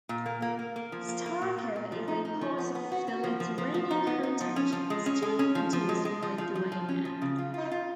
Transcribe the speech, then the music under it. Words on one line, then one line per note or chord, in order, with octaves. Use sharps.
Starka is a part of the Lithuanian heritage, still produced in Lithuania.
A#2
A#3
A#3
A#3
A#3
F3
A#3
A#3
A#2
A#2
A#2
F3
D#4
D#4
F3
B3
B3
F#4
F#4
F3
F3
F3
F3
D#4
B3
D#4
F3
C#4
F3
G#3
C#4
G#3
C#4
F3
F3
G#3
G#3
F3
F3
F3
F3
C#4
F3
C#3
F4
F4
F4